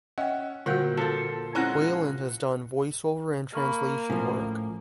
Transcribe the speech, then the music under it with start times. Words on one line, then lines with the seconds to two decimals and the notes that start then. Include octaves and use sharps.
Weiland has done voiceover and translation work.
0.18 C#4 D#5 E5 F#5 G5
0.66 A#2 D3 G3 A#3 F#4 F#5 G5
0.97 F3 F4 A4
1.55 G#3 C4 C#4 E4 F#5 A#5 F#6 A#6
3.54 A#3 B5 C#6 F6
4.10 A2 F3 C#4